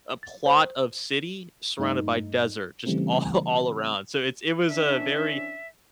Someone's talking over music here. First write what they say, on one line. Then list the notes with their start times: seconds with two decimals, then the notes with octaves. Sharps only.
a plot of city surrounded by desert just all all around. So, it's it was a very
0.23 A6
0.46 C5
1.79 G2 A3 D#4
2.86 C#3 E3 G3 A3 C4
4.68 E3 C#4 D4 E5